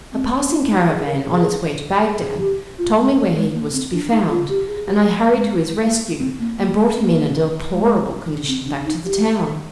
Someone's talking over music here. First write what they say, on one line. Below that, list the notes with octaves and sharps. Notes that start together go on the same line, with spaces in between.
A passing caravan, on its way to Bagdad, told me where he was to be found, and I hurried to his rescue, and brought him in a deplorable condition back to the town.
C4
D4
D#4
G#4
A#4
G#4
G#4
G#4
G4
F4
G#3
A#3
G#3
A#3
C4
D4
D#4
F4
G4
G#4
G4
G#3
A#3
G#3
A#3
C4
A#3
A#3
G#3
A#3
G#3
C4
D4
D#4
G4